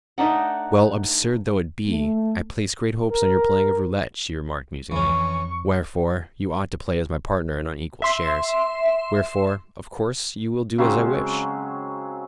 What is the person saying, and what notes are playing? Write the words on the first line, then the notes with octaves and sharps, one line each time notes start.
"Well, absurd though it be, I place great hopes on your playing of roulette," she remarked musingly; "wherefore, you ought to play as my partner and on equal shares; wherefore, of course, you will do as I wish."
A3 D4 D#4 F#5
A3
A#4
F2 E3 C#4 C#6
E5 C6
C#3 F#3 G#3 C4